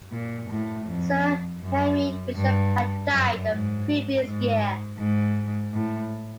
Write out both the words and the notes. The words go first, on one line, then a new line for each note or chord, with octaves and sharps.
Sir Henry Bishop had died the previous year.
A#2
A2
F2
F#2
G2
F#2
G#2
G#2
G#2
A2